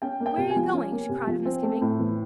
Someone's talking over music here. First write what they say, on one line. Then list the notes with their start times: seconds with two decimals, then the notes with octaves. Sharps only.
"Where are you going?" she cried with misgiving.
0.02 C#4 G5
0.20 A#3
0.26 G5
0.38 C3
0.50 G#5
0.56 F3
0.73 C#4
0.92 A#3
1.09 C3
1.27 F3
1.45 C4
1.63 A3
1.81 A2
1.99 E3